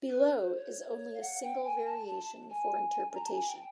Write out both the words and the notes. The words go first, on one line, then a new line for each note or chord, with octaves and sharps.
Below is only a single variation for interpretation.
B4
C5
C#5
C#5
F5
F#5
G5
G#5
A5
A5
G#5
A#5
A5
G#5
G5